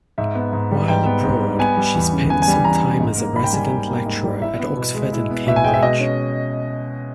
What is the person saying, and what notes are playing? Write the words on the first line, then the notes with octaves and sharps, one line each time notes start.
While abroad, she spent some time as a resident lecturer at Oxford and Cambridge.
G#2 E5
B3
G#2
G3
G#2 G5
B3
G#2
G3
B3 G#5
G3
E2
C#3
B3 G#5
G#5
G3
G#5
E2 A#5
C#3
G#2
A#3
G#2 B5
G5
G3 G#5
G#2
A#3
G#2
G3
E4 E5
B3
B2
G#3
E4
B3
B2 E5
G#5
G#3 G5
E5
B2 D#5
C#4